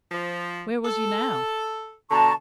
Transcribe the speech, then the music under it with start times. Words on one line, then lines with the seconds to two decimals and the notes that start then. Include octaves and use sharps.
Where was he now?
0.12 F3
0.85 A4
2.11 B2 D3 A5 A#5 C#6